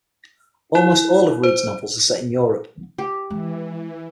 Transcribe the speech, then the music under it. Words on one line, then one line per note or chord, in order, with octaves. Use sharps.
Almost all of Read's novels are set in Europe.
E4
C5
G4
E3 G#3